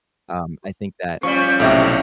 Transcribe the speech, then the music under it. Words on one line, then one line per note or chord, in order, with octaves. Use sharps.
um, I think that
F3 G3 C#4 C#6
B1 A2 C3 A4 E5 G5